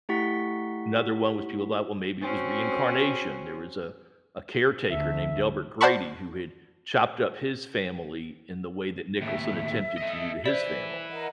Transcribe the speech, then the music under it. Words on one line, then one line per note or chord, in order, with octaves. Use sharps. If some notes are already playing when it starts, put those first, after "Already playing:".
Another one was people thought, "Well, maybe it was reincarnation." There was a a caretaker named Delbert Grady who had chopped up his family in the way that Nicholson attempted to do to his family
A3 E4 G4 F#5 C#6 B6
C4 C#4 F#4
D2 E5
C5 D5 F#5 A5 B5 C#6
D#2 A2 E5
A4 D#5
E4 B4 C5 D5
A#4 D#5 F#5